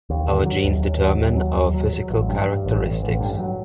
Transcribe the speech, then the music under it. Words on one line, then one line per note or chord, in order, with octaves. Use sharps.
Our genes determine our physical characteristics.
D#2
D3
F#3
D#2
D#2
F#3
D#2
F#3
D#2
F#3
F#3
A1
G2
G2
A1
A1
A1
G2
F#3